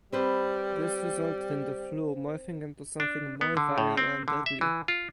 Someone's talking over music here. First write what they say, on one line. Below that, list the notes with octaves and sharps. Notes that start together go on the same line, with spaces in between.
This resulted in the flu morphing into something more viral and deadly.
G3 C4 B4 C5
D4
B3
D3
A2
C4
D3
E5
E3
F4